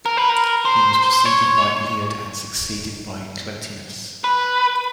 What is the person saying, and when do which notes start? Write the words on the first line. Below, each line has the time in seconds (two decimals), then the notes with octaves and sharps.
He was preceded by Eliud and succeeded by Clotenus.
0.06 A#4
0.17 B4
0.29 A#4
0.65 C5
1.13 C5
1.25 C#5
4.24 B4